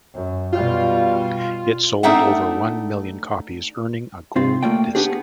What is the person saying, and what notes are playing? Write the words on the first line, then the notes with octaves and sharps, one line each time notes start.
It sold over one million copies, earning a gold disc.
F#2
B2 G3 F4
A3 C4 D4 D#4 E5 F#5
C3 C4 F4
A3 A#3 D5 G5
B3 D4 G4 G#4